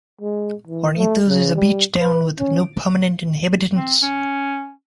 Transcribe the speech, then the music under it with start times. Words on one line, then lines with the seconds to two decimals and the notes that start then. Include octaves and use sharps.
Hornitos is a beach town with no permanent inhabitants.
0.21 G#3
0.67 E3
0.97 A3
1.27 C#3
1.55 G3
2.00 B4
2.39 C#4
3.76 C4
4.02 C#4